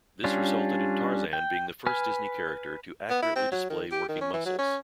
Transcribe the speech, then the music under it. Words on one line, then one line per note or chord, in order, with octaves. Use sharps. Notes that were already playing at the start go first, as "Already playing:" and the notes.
This resulted in Tarzan being the first Disney character to accurately display working muscles.
G3 C#4 D4 F4
G5
B4 G#5 F6
B3
E4
C4
F#3
D#3
G4
D#3
C#4
E3
F#3
C#4